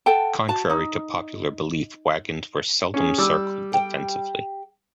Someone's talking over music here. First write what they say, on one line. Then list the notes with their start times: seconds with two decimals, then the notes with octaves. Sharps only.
Contrary to popular belief, wagons were seldom circled defensively.
0.06 A4 F#5 G5 A5
0.48 F#4 A5
0.70 D#4
2.94 C#4 G#4
3.18 G3 D6 E6
3.72 G4 G5